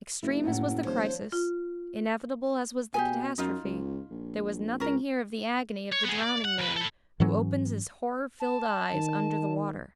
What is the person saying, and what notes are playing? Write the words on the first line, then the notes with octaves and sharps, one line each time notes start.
Extreme as was the crisis, inevitable as was the catastrophe, there was nothing here of the agony of the drowning man, who opens his horror-filled eyes under the water.
F#1 E4
F#2 A2 F#5
D#1 F3 C5 C#5
F4
B2 G4 G#4 G#5
F#2 D#4 F4
C#2
A#1
C#2 C#4 A#4
C#5
B3 G#4
D5
F#5
D#2 B4
E4 A4
G#2 E3 F#3 C#4
A5
D#3